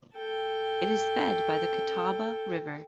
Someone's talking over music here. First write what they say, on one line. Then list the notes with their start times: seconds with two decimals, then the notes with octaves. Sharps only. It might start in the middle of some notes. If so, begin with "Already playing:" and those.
It is fed by the Catawba River.
0.15 A4 G5